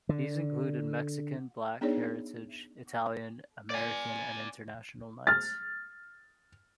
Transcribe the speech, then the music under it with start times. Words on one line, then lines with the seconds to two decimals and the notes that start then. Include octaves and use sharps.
These included Mexican, Black Heritage, Italian, American and International nights.
0.09 D3
1.81 B3 D4 D#4 G#4 C#5 D5
3.70 D5 G#5
5.27 F6 A6